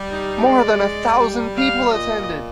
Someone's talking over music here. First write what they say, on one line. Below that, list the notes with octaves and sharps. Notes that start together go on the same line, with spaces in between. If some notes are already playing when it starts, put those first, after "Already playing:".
More than a thousand people attended.
Already playing: G3
D#4
G#3 D5
G3
F5
A#2 D#5